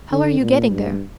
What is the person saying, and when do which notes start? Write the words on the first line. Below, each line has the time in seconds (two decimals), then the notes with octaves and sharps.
"How are you getting there?"
0.12 D3
0.40 A#2
0.70 G2